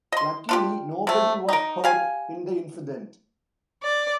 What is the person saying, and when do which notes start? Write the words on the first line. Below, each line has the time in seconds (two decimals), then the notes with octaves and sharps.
Luckily nobody was hurt in the incident.
0.12 D#5 C6
0.49 D4 F4 G4
1.07 C3 A3
1.49 D#4 A#4
1.84 G4 F5 G#5
3.83 D5